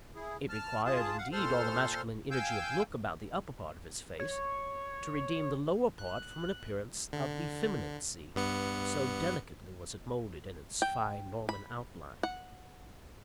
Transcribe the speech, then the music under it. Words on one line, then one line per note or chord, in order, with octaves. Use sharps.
It required, indeed, all the masculine energy of look about the upper part of his face, to redeem the lower part from an appearance of effeminacy, so delicately was it moulded in its fine Norman outline.
E4 G#4
A5 F6
F4 G#4 A5
F5 F#5
A#2 A4 C5 C6 F6
F5 G5 G#5 E6 G6
C#5
F#6
D3
G2 B3 C#7
G5
B5
F#5